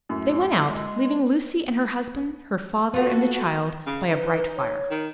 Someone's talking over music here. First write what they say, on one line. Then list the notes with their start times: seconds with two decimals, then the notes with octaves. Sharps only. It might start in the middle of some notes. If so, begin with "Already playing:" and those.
They went out, leaving Lucie, and her husband, her father, and the child, by a bright fire.
0.09 F#2 A2
0.70 G#3
2.94 B3 F4 F#4 A4
3.86 C#3
4.09 D#4 B4
4.56 C#5
4.90 D#3